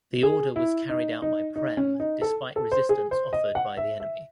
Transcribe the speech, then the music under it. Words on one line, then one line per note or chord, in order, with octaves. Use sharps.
The order was carried out by Prem despite resistance offered by the enemy.
G#4
E4
D#4
D#4
D#4
C#4
D#4
A4
A4
C5
G#4
C5
D#5
F#5
E5
E5